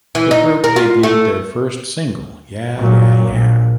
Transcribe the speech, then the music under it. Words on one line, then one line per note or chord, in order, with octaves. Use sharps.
The group debuted their first single Yeah, Yeah, Yeah!
E3
D#4
A#4
F4
A3
A#2 F#3
A#1